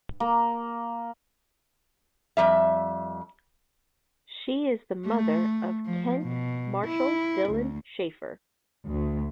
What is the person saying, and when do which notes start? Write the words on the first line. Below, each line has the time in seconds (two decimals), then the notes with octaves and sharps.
She is the mother of Kent Marshall Dylan Schaffer.
0.20 A#3
2.37 F2 G3 E5
5.05 A3
5.85 F3
6.23 B2
6.87 E4
7.49 D2
8.86 D2